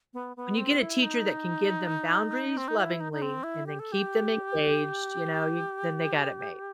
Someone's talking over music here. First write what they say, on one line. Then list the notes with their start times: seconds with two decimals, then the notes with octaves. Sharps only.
when you get a teacher that can give them boundaries lovingly and then keep them engaged, you know, you then they got it made.
0.13 B3
0.37 B3
0.57 C4
0.79 E4
1.03 D#4
2.57 C4
2.68 D#4
2.77 E4
3.00 D#4
3.12 D#4
3.22 C4
3.43 E4
3.66 G4
3.79 A4
3.92 G4